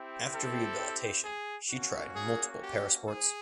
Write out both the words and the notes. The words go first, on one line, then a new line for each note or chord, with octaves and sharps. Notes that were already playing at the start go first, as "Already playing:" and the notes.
After rehabilitation she tried multiple Para sports.
Already playing: C4 E4 G4
A4
G#4
A#3 C#4 F#4
G#4
G4
G#4